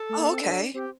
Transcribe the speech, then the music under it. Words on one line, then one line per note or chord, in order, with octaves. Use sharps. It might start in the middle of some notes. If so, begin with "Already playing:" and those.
Oh, okay.
Already playing: A4
A3
A#3
C4
D4
C4 G4